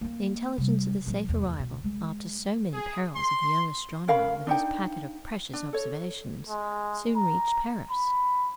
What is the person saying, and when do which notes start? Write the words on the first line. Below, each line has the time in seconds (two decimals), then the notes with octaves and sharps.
The intelligence of the safe arrival, after so many perils, of the young astronomer, with his packet of precious observations, soon reached Paris.
0.01 A#3 C4
0.58 C3 G3
1.06 A#2 F#3
1.29 F1 E2
1.59 B2
1.84 G#3
2.74 G#4
3.16 C6
4.08 C#4 A#4 F5 B5
4.47 D4 D#4 G5
5.53 D4
5.73 A4 C#5
6.49 G#3
7.16 A#5
7.90 B5